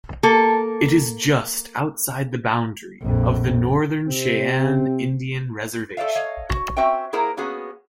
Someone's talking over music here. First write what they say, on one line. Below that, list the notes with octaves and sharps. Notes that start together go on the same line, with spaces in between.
It is just outside the boundary of the Northern Cheyenne Indian Reservation.
A#3 A4
A#1 F2
C3 C4
A4 C5 D5 E5 F5
C#5 D#5 F5
F#4
C4 C#4 F#4 C5 E5 G5
A#3 E4 G#4 A#4 C5 F#5
A#3 B3 C#4 F#4 G#4